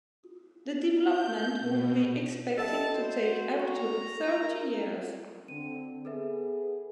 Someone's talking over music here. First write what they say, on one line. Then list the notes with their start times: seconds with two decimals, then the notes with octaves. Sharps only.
The development would be expected to take up to thirty years.
1.05 G6
1.60 B2
2.58 G3 A4 D#5 E5 A5
2.95 F#4 C5
3.60 A#5 C#6
4.42 A#4
5.48 D3 C4 D#7
6.05 B3 G#4 A4 B4 E5